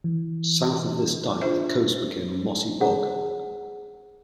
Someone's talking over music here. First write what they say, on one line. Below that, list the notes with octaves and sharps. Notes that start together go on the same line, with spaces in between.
South of this dike, the coast became a mossy bog.
E3
D4 F4 G#4 C5 E5
G#4 F#5